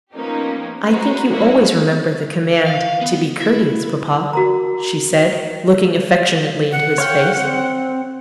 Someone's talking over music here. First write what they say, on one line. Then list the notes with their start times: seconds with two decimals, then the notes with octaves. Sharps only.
"I think you always remember the command to be courteous, papa," she said, looking affectionately into his face.
0.13 F3 A#3 B3 C#4 D#4 G4
0.87 F#4 B4 C5 A#5
1.29 G3 A#3 D#4 E4 F#4 C#5
2.67 F5
3.01 B3
3.41 E4
4.33 F#4 A#4 A#5
6.72 F#5
6.98 C#5 F5 G5
7.36 C4